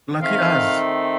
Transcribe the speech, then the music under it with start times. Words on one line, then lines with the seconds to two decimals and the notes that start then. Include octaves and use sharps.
Lucky us’.
0.21 D#3 A3 C4 F5